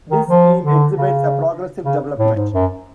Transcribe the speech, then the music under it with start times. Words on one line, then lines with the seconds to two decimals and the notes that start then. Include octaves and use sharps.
This scheme exhibits a progressive development.
0.11 D#3
0.28 F3
0.63 D3
0.98 C#3
1.84 C#3
2.19 A2
2.36 G#2
2.54 F#2